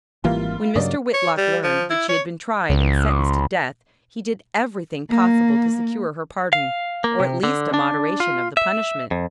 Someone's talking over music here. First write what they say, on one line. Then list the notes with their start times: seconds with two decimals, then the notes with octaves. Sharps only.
When Mr. Whitlock learned that she had been tried and sentenced to death he did everything possible to secure her pardon, or at least a moderation of the punishment.
0.24 G#1 E3 G3 A#3 F4
0.75 G2 C#3 F#3 A#3 D5 D#5
1.14 C#5
1.37 G3
1.64 F3
1.90 E4
2.09 C#5
2.70 C#2
5.09 A#3
6.53 F5
7.04 A#3
7.20 C3
7.43 D3
7.74 D4
8.20 F4
8.57 E5
9.11 F2